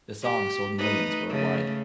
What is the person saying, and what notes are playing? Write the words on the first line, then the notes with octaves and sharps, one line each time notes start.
The song sold millions worldwide.
G4
A3 D#4 B4
C#3 A3